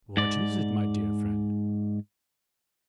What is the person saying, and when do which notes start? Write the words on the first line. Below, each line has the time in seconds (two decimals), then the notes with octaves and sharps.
"What is it, my dear friend?"
0.17 G#2 D5